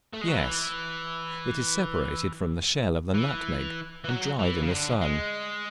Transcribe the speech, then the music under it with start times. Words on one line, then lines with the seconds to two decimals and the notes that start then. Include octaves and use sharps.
Yes, it is separated from the shell of the nutmeg, and dried in the sun.
0.13 A3
0.21 G#3
0.28 F#3
0.36 E3
3.15 E3
4.04 E3
4.09 F#3
4.39 E3
4.61 C#3
4.71 D3
5.01 G#3